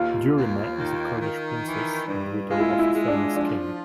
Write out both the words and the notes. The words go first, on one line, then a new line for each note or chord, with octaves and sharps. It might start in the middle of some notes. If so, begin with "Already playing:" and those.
Durimeh is a Kurdish princess and widow of a famous king.
Already playing: D#2 F4
D#2
D#3
D#3
E3
G2
G#3 F4
E4
F4
E4
G#3
D4
F3 D4